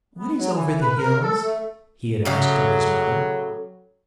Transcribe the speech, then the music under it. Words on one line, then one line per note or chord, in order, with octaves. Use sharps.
"What is over the hills?" he had asked of his mother.
B3
F#3
E3
B4
A#4
A4
A3
A2 C#3 F#3 G4